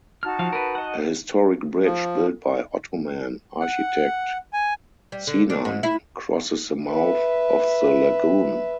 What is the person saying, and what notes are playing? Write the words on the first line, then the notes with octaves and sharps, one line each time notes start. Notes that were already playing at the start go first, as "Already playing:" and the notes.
A historic bridge, built by Ottoman architect Sinan, crosses the mouth of the lagoon.
D#4 F#4 A5 F6
F3 F5
A#4 B4
D#5 F#5
F3
F#5
G#5
G3
D3
D4
G#2
E4
B4 E5